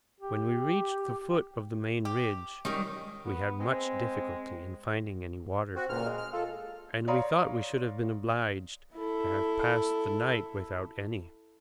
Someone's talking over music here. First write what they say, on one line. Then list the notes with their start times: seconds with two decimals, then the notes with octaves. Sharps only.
When we reached the foot of the main ridge, we had much difficulty in finding any water, and we thought we should have been obliged to have passed the night without any.
0.20 G4
2.05 G4
2.65 D#3 G3 G#3 C#4 G4 C#5
3.26 B3
3.60 G#3 C4
5.76 C4 F#4
5.89 C#2 A#2 F6
6.06 G#3
6.17 F6
6.33 F4 A4
7.07 C#5 D5 F5 A#5 C6 D#6
8.94 E4 A4